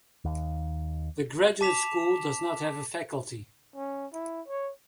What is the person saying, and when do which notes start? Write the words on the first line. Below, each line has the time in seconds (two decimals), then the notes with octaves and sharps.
The Graduate School does not have a faculty.
0.25 D#2
1.61 A5 D6 B6 E7 F7
3.76 C#4
4.14 E4
4.48 C#5